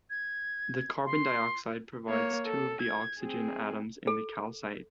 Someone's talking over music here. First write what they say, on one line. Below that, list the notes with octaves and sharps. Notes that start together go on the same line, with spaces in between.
The carbon dioxide provides two of the oxygen atoms in the calcite.
G#6
C6
A#3 C#5
A4
G#6
C4 G#4
A4